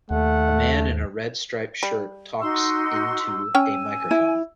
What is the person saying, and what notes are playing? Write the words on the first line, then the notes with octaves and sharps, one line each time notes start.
A man in a red striped shirt talks in to a microphone.
D#2 A3 F#5
G3
D#4 F#4 C6 E6
C#4 C#5 G5 G#5
E4